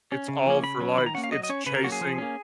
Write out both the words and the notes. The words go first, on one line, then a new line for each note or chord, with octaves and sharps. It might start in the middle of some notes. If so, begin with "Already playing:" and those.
It's all for, likes, it's chasing
C#4
C#3
F3 A#3 C#4
C#3 B5
F#3 C#4
D#3 B5
A#5
A#3 C#4 F#5
F5
F#3 D#5
D#5
C#4 C#5
C#3 B4
A#4
F#3 A#3 C#4 F#4
G#4
F3
A#3 C#4